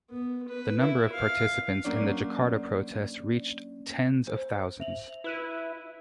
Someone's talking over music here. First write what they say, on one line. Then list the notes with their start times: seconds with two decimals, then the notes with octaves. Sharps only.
The number of participants in the Jakarta protest reached tens of thousands.
0.11 B3
0.48 B4
0.80 E4
1.12 F5
1.84 F#3 A#3 C#4 D4 D5
4.27 C5
4.80 E5 F7 F#7
5.24 E4 B4 F#6 D#7